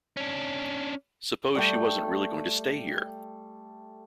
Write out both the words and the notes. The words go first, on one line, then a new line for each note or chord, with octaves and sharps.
Suppose she wasn’t really going to stay here!
C#4 D4
G3 A3 G5